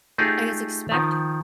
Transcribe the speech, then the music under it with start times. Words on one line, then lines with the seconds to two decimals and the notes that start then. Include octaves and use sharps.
I guess, expect
0.18 A3 D#4 F4 G4 G#4
0.92 D#3 F3